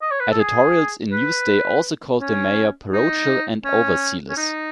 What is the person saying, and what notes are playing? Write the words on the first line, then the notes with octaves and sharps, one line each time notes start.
Editorials in "Newsday" also called the mayor "parochial and overzealous".
D#5
C#5
B4
A4
G#4
B4
C#4
D#4
C#4
C#4
D#4